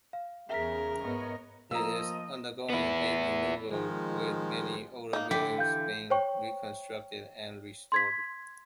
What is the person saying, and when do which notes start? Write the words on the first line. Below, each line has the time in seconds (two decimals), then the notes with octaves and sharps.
It is undergoing a renewal, with many older buildings being reconstructed and restored.
0.13 F5
0.50 E2 C#3 A#4 E5 B6
1.01 G#2 B3 C#5 D#5
1.71 F3 A#3 D#5 A#5 E6
2.70 B3 E4
3.71 D#3 F3 G#3
5.13 A#3 D#4
5.31 D3 E3 G4 B6
5.58 F5 G6
6.10 C5 C#5 G5 C#6
7.92 C6 G#6 B6